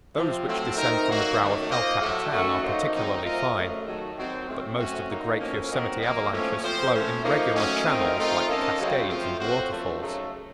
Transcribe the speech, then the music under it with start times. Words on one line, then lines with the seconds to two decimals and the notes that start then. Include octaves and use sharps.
Those which descend from the brow of El Capitan are particularly fine; but most of the great Yosemite avalanches flow in regular channels like cascades and waterfalls.
0.15 C3 F3 C4
0.46 A2 F#3 A3 C4
0.77 D#3 A3 C4 D#4 A#4
1.08 F#3 A#3 D#4 F#4
1.38 F#2 D#3 A3
1.69 A#3 F4 C5 D#5
2.00 A2 F#3 A3
2.31 D#3 A3 C#4 F#4
2.62 F#3 A#3 D#4 A4 C5
2.93 D#3 F#3 C4 D#4 A#4
3.23 A3 C4 F4 A#4 D#5
3.55 F#2 C#3 A3
3.85 D#3 F#3 A3
4.16 D#3 F#3 C4
4.48 A2 A3 C4
4.77 C3 F#3 A3 C#4 F#4
5.09 F#3 A#3 D#4
5.39 A2 F3 A#3 C#4
5.71 D#3 F#3 C4 F#4 A#4
6.01 D#3 F#3 A#3
6.32 A2 F3 A3 C#4
6.63 F3 C4 F4 C5
6.94 A2 A3 C#4
7.24 F3 A#3 D#4
7.55 D#3 F#3 A3 C#4
7.87 D#3 A3 C4 F4 A#4
8.17 D#3 A3 C4 F4 A#4
8.47 D#3 A#3 C#4 A4 D#5
8.79 F#2 C#3 F#3 C4
9.09 F3 A3 C4 F4 C5
9.40 A2 F3 C4 F#4 C5
9.71 F#2 C#3 F3 A3
10.01 F#2 C#3 F#3 A3 D#4